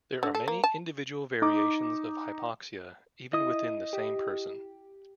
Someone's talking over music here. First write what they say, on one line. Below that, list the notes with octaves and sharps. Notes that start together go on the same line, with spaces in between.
There are many individual variations of hypoxia, even within the same person.
D3
A4
A#3
A5
D#4 D6
E4 D#5 D#6
G4